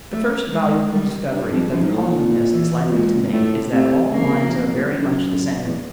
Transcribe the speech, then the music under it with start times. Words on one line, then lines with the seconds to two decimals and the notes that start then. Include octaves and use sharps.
The first valuable discovery that the colyumist is likely to make is that all minds are very much the same.
0.11 A3
0.51 G#3
0.92 G3
1.31 G2 G3
1.52 F2
1.71 F#2 F3
1.81 G#2
1.92 A2
2.02 A#2
2.52 E3
2.86 B2
2.91 A#2 G#3
3.32 A2 A3
3.72 C3 A3
4.12 C#3 A#3
4.22 C3
4.32 B2
4.42 F2
4.52 E2
4.62 F2
4.72 A2
4.82 G2
4.92 F#2
5.66 E2